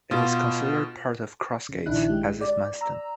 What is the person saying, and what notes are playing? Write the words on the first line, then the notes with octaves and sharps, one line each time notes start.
It is considered part of Cross Gates, as is Manston.
B2 F4
C#3
A#1 D#3 D4 E4 F#6
G#3 G4
D5
A#5 E6